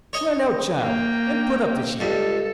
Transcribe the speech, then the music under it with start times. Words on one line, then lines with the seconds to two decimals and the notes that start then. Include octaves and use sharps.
Run out, child, and put up the sheep.'
0.13 C#5 D#5 G#5
0.81 A#3 G5
2.00 C#2 G2 A4